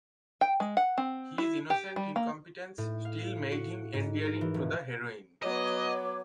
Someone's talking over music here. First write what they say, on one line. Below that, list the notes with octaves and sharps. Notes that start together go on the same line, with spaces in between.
His innocent incompetence still made him endearing to the heroine.
G5
G#3
F#5
C4
E4
G4
G3
A#3
A2
F5
F#4
G#2
A#4
E3
D#1
F#3 B3 C#5 D#5 D6